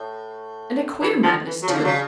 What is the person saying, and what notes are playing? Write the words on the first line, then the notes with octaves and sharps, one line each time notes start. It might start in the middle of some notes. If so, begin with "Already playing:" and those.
And a queer madness, too.
Already playing: A2
E3
F3
E3
F#3
C#3 F3
D3
C#3 F#3